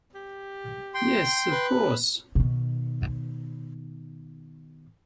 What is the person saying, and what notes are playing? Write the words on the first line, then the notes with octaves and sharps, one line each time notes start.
Yes, of course!
G4
G5 C6
B4
B2 D#3